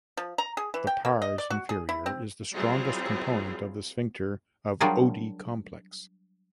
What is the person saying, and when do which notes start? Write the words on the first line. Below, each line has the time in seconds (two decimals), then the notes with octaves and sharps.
The pars inferior is the strongest component of the sphincter of Oddi complex.
0.17 F3
0.38 A#5
0.57 G#4
0.74 E3
0.87 G5
1.05 A#3
1.22 D#5
1.38 D5
1.50 F#4
1.69 G#4
1.89 E4
2.06 C4
2.52 F#3 G3 C4 E4 F4 G#4
4.80 F#3 G3 D4 F4 G#4 A#4